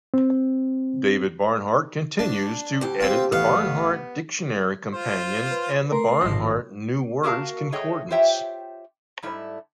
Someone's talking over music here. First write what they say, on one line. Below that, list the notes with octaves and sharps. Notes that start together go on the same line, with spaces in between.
David Barnhart continues to edit the "Barnhart Dictionary Companion" and the "Barnhart New-Words Concordance".
C4
D4
D2 G4
C4 F4
A1 B3 F5
F4 C5
B4
A3 A#4 C6
G#1 F3 G#3 E6 A#6
A#3 F#4 A#4 F5 A5
A3 G#4 C#5 D#5 F#5 G5
F4 G4 C5 C#5 E5 G5
G#2 G3 A3 E4